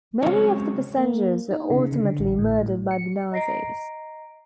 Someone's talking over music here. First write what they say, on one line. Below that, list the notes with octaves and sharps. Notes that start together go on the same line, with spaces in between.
Many of the passengers were ultimately murdered by the Nazis.
C#3 F#3 G#3 C4 C#4 C#5
A#3
D#4
C#3
D3
A1
A2
C#7
D#5 A#5 A#6 C7 D7